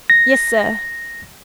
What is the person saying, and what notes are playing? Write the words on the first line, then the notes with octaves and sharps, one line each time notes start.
"Yes, sir."
A#6